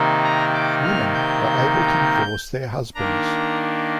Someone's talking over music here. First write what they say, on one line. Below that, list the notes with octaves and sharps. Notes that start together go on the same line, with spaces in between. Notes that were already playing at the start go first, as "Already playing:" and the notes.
Women were able to divorce their husbands.
Already playing: C3 D#3 A#3 D#4
A#5
D6
F6
G6
D#3 A#3 D4 A#5